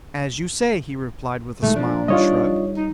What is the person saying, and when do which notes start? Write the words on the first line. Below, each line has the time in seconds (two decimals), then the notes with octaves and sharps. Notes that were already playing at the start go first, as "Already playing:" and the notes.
"As you say," he replied with a smile and shrug.
1.63 B2 D#3 G#3 A3
1.76 F3 D4
2.08 D#3 G3 F4 C#5 D#5
2.77 D#4